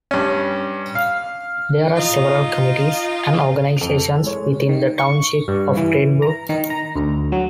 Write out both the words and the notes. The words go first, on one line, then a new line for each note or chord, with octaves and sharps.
There are several committees and organizations within the township of Green Brook.
G2 C#4
F5
D#4 F4
F2 F7
A4
G#3 C#5
D#3
C#6
G2
E3
A#5
D#3
A#5
D2
F#3